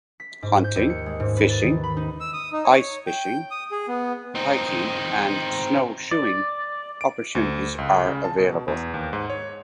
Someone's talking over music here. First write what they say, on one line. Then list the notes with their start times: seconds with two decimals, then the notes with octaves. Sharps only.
Hunting, fishing, ice fishing, hiking and snowshoeing opportunities are available.
0.20 B6
0.42 G#2
0.64 G6
0.76 D#2
0.90 C#7
1.06 G#3
1.20 G#2
1.37 B4
1.49 A6
1.63 D#3
1.84 B5
1.97 D#4
2.20 E6
2.33 D#6
2.52 D#4
2.65 C#5
3.07 G5
3.51 D#6
3.72 G#4
3.89 B3
4.35 C4 D#4
6.11 D5
7.01 D7
7.35 D2
7.78 C#2
8.07 C#3
8.24 A5
8.38 B2
8.68 E2
8.94 D#2
9.13 G#2
9.30 C#5